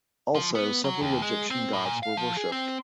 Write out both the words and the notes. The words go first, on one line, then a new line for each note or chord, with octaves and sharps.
Also, several Egyptian gods were worshipped.
F3
B3
F#3
D#2
G#3
C4
A2
A#2
F5
F3
G#4
C4